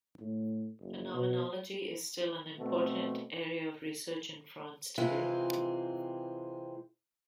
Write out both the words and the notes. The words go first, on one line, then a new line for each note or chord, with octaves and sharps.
Phenomenology is still an important area of research in France today.
A2
F#1
B2
B2 A3 C4
C3 E3 G#3 C4 F4